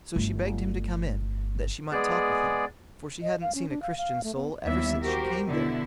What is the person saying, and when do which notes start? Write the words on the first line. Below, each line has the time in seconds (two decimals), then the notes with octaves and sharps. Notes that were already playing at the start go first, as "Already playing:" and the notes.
So she begged him to come in, that she might talk with him, for she hadn't seen a Christian soul ever since she came there.
0.16 G1 A3
1.92 G#3 B3 G#4 D5
3.22 D#5
3.42 F5
3.55 C#4
3.69 D4
3.82 F5
3.97 F5
4.24 A3
4.35 B3
4.64 D#2 G3 B3 E4 E5
5.03 F#4 G4 A#4 C5
5.47 B2 D3 E4